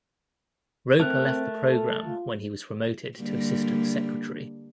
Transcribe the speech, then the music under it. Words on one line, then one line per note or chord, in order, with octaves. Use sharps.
Roper left the program when he was promoted to Assistant Secretary.
A3 C4 A#4 F#6
A4
F4
D3 G3 A#3